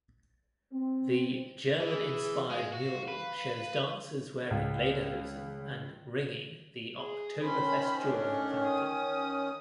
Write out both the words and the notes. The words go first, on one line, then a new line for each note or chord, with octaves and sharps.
The "German inspired" mural shows dancers wearing lederhosen and "ringing" the "Oktoberfest Joy" fountain.
C4
E3 G#4
G#3 F5
F#4
B4
C#2
G#4
D#3 C#4 C5 B5
A3 D4
D#6